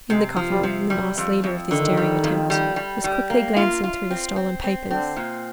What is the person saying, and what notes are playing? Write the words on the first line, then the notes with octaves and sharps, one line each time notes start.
In the coffee-room the masked leader of this daring attempt was quickly glancing through the stolen papers.
C3 G#3
F3
G3
C3
G3
F2
F2
D3 D#3
G3
F2
G3
G3
G3
A#3
F4
F4
C4
C4
C4
D3 C4
A#2